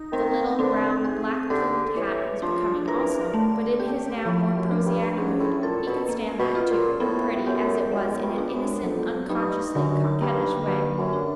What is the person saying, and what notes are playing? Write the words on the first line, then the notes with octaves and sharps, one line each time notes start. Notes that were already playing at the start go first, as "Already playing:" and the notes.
The little round, black-plumed hat was becoming also; but in his now more prosaic mood, he could stand that, too, pretty as it was in an innocent, unconsciously-coquettish way.
Already playing: D#4
D#3 C4
D3 C4
G#4
D3 G4
E3 C#5
F3 D4
E3 A#4
D3 A3
G4
A2 F3
F#2
D4
G2
G#2 C#4
A2
A#2 A4
B2
A#3
B2
F4
A#2
A2 B3
F#2 G4
F#2 G#3
G#2
G2
D4
F#2
F2 F#3
G2 D#4
F#2 D3
G2 A#3
G2 F#3
F#2
D4